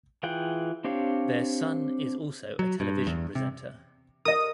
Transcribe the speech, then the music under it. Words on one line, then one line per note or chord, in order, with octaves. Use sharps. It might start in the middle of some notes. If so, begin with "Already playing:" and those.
Their son is also a television presenter.
E3 F4 G#4 F#5 G5
C4 D4 G4 C#5 F5
F#3
G2
E2
C3
A#4 D#5 D#6